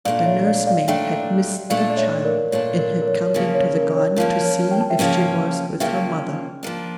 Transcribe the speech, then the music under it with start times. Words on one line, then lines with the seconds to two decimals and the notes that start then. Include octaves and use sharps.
The nursemaid had missed the child, and had come into the garden to see if she was with her mother.
0.05 A#2 A3 D4 D5 F5
0.20 F5
0.25 C#5 E5
0.46 D5 F5
0.67 D5 F5
0.88 A#2 A3 D4 E5 G5
1.70 A#2 A3 D4 D5 F5
1.90 D5
1.97 C#5 E5
2.25 A#4 D5
2.52 A#2 A3 D4 C#5
2.79 A#4
3.02 A#4
3.07 C#5
3.26 C#5
3.34 C#3 F3 A#3 C#4 A#4
3.55 C#5
3.75 A#4
3.96 C#5
4.16 C#3 F3 A#3 C#4 A#4
4.44 C#5
4.71 G5
4.81 A5
4.90 E5 G5
4.99 C#3 F3 A#3 C#4
5.80 C#3 F3 A#3 C#4 E5 G5
6.63 F3 A#3 D4